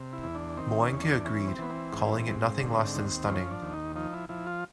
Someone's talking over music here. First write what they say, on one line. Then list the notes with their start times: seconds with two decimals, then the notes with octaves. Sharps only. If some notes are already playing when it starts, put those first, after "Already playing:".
Moehnke agreed, calling it "nothing less than stunning".
Already playing: C3
0.13 E4
0.23 E2
0.35 D4
0.57 D#3 C4
0.80 C#4
0.91 E2
1.02 D4
1.25 E3 C#4
1.48 C4
1.59 E3 B3
1.70 C4
1.92 G#2
2.26 G#2
2.60 D3
2.94 D#2
3.28 F3 C#4
3.51 D4
3.62 D#2
3.73 D#4
3.96 F3 D#4
4.13 E4
4.29 F3 E4
4.47 F4